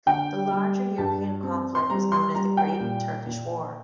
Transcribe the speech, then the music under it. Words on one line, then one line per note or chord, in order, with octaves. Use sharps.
The larger European conflict was known as the Great Turkish War.
D3 G5
G3
G2 A5
C4
C6
G3 A#5
C6
G3 A#5
G5
A#2
A#2